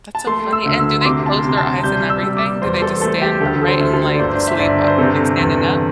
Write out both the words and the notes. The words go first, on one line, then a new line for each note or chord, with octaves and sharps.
That's so funny, and do they close their eyes and everything, do they just stand upright and, like, sleep, uh, like, standing up?
A5
A3 C6
E6
D2
E6
C6
C3 D6
A5
C6
C3 C6
A5
G3 G6
E6
G3
D6
E2 C5
A4
A3 A4
G4
D2 A4
A4
C5
D2
A4
D5
G1 C5
E5
G1 D5
C5
C3 A4
E2